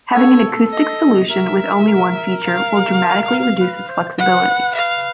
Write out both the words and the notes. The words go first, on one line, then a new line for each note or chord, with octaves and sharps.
Having an acoustic solution with only one feature will dramatically reduce its flexibility.
A4 C#5
D#5
A#4 E5
A#4
F5
B4
C5
B4 F#5
F5